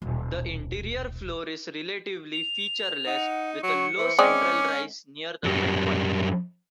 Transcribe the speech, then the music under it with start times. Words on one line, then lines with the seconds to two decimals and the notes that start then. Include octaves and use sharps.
The interior floor is relatively featureless, with a low central rise near the midpoint.
0.02 D#1 B1
2.33 F7
3.07 D#4 F#5
3.63 F#3 C#6 C#7
3.98 E3 C5
4.19 G#3 C4 C#4 D5 D6
5.44 F#2 G3